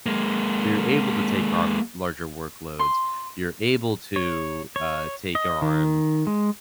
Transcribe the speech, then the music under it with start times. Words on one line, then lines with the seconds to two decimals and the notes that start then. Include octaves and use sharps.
So you're able to take on larger workloads. You're able to, uh, take on
0.06 G#3 A#3
2.79 C6
4.16 C#5
4.76 C#5
5.35 D#5
5.62 D#3
6.27 G#3